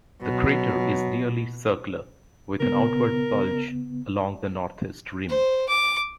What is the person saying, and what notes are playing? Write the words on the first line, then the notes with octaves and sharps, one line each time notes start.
The crater is nearly circular, with an outward bulge along the northeast rim.
B2 F#3
C#3 B3 A#4
C5
D6